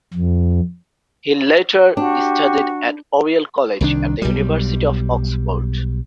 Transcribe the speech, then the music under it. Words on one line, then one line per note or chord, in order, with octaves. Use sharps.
He later studied at Oriel College at the University of Oxford.
F2
D4 F#4 G4
C2 D#3 D4
B1 G3